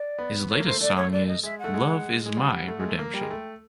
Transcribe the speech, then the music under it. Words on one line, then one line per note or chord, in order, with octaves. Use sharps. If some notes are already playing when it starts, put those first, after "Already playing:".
His latest song is "Love is My Redemption".
Already playing: D5
B3
A3 C#5
A#3
A3 C5
A3 D5
C#5
D5
D#5
G#3 E5
F#5
A3
G#3
G#3
G3 F#5
A3
G#3
A3
A#3
G3 G5
G#3
A3